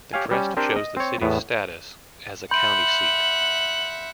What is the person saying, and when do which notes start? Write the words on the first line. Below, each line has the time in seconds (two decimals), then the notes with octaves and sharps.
The crest shows the city's status as a county seat.
0.13 G4 C#5 F5 G#5
0.31 G3 C#4
0.57 C4 D4 G4 A#4 C5
0.76 D#5
0.97 C4 C#5
1.22 E2 A2 B3
2.51 E5 F#5 B5 C6 G6 F#7